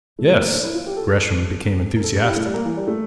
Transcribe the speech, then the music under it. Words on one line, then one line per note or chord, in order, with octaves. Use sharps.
"Yes!" Gresham became enthusiastic.
A3
A3
A#3
D4
E4
F4
G4
A4
A4
A#4
A4
G4
E4
A3
G3
A#3
E3
G3
A3